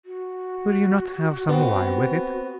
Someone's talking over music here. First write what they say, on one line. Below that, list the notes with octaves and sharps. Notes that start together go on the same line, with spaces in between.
"Will you not have some wine with it?"
F#4
B3 C4